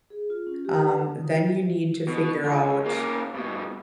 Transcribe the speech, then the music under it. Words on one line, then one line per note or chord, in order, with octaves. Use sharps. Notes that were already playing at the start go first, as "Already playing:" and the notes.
um, then you need to figure out
G#4
F4
C#4
G4
B4
A5
D#6
B2
C#2
A#3 C#4
G2 B2